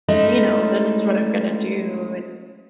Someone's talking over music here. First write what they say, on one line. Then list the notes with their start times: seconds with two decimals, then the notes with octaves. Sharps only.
you know, "This is what I'm gonna do," and
0.08 G#3 A3 C#4 D#4 E4